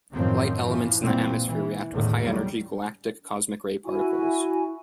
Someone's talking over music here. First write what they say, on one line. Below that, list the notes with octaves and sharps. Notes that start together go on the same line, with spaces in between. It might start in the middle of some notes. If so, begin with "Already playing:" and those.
Light elements in the atmosphere react with high energy galactic cosmic ray particles.
F#2 A2 D#3 F3 C4
E3 F3
A#2 E3 G3 C4
E3
E2 A2 D3 D#3
D#3 F#3 G3
E4 F#4 G#5